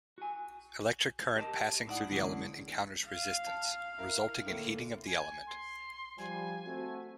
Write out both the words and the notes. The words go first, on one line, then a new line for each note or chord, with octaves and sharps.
Electric current passing through the element encounters resistance, resulting in heating of the element.
F#4 G#5
G4 A#4 D#5 A5
A2 D#4 E4 D5 F#5
D3 E3 G#3 A#3 C#4 D4
F5
A5
E4 A#4
A2 D3 A#3
G#5
C6
F3 G3 G#5
A3 C4 F#4